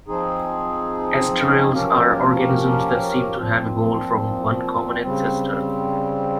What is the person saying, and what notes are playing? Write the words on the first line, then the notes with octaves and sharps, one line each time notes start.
Asterales are organisms that seem to have evolved from one common ancestor.
F3 C4 D#4 G#4
F3 A#3 C#4 G4 A#4
A#2 F3 C4
C#3 G3 C4